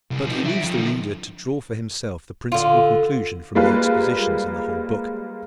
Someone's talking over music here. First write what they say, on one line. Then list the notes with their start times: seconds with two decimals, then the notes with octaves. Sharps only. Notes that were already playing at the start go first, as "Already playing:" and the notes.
But he leaves the reader to draw for himself the principal conclusion from the expositions in the whole book.
0.11 C2
0.27 F3 D#4
0.44 F#3 E5
0.63 F2
0.77 D3 F3
2.52 D3 F4
3.55 G3 G#3 A#3 F4 B4